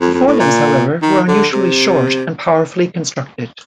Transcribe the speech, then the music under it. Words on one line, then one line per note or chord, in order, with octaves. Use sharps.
The forelimbs, however, were unusually short and powerfully constructed.
F2
F2
A2
A#2
D#3
D3
C3